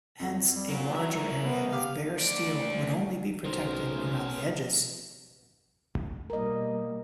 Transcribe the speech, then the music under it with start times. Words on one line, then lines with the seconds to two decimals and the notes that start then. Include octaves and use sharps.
Hence, a larger area of bare steel would only be protected around the edges.
0.20 F2
0.56 G3
0.70 F#3 A#3 F4
0.95 E3 A#4 E5 A#5
1.43 B3 B4
1.73 G4 F5 D6
2.18 D2 D5
3.45 B1 G#3 C#4 A#4 C5
6.30 B2 G3 A#3 A#4 D#5